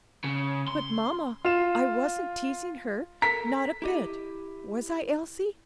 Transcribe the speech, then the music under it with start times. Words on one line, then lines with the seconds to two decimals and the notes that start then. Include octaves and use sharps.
But, mamma, I wasn't teasing her, not a bit; was I, Elsie?
0.24 C#3
0.68 C6
1.45 F4 F5 E7
3.22 A4 A#4 A#5 B6
3.82 E4 G4 D#5